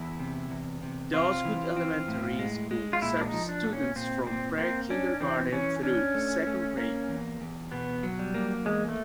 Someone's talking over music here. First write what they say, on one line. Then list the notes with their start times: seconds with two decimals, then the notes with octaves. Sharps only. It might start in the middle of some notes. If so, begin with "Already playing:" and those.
The Osgood Elementary School serves students from pre-kindergarten through second grade.
Already playing: E2 E4
0.20 C3
0.51 E2
0.83 C3
1.14 C4 F4
1.45 E3
1.76 C4
2.08 A2
2.39 G#3
2.71 G#3
2.93 F4
3.02 A#2 E4
3.21 D4
3.25 D#4
3.33 F3
3.49 D4
3.64 A#2
3.73 C#4
3.96 A#2 C4
4.27 A#2 C4
4.58 A#3 C4
4.90 C#4 D4
5.21 E3 C4
5.53 E3 C#4
5.83 C#4 D4
6.15 A3
6.47 A3
6.77 A#3
7.09 E2
7.41 E2
7.72 B2 B3
8.03 F#3
8.19 G3
8.34 A#3
8.65 E2 G#3
8.88 A3